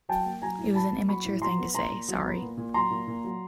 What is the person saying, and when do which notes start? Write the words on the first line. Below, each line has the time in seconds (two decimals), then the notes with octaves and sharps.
It was an immature thing to say, sorry.
0.09 F#3 G5 A5
0.25 A#3
0.42 F#3 G#5 A#5
0.58 A2
0.75 F#3 A5 B5
0.92 A#3
1.08 F#3 B5 C#6
1.25 A2
1.42 F#3 A#5 C6
1.59 B3
1.75 A#2 A#5 C6
1.92 A#2
2.08 F#3
2.24 B3
2.42 A#2
2.57 A#2
2.74 F#3 A#5 C6
2.91 A#2
3.08 A#2
3.24 F#3